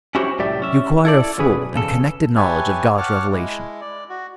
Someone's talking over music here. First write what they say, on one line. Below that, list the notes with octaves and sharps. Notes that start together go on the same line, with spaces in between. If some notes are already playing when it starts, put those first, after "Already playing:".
You acquire a full and connected knowledge of God's revelation.
C#4 E4 F#4 G4 C5 C#5
C2 A2 F#3 G4 D5 E5
C#4 E5
E4 A4 D5
B1 B2 C#4 G#4 B4
E2 C#3 A4
G4 B4 C#5 E5 G#5 A5
C#5 F#5 A5 D6 F6
G#3 E4
D5
F#4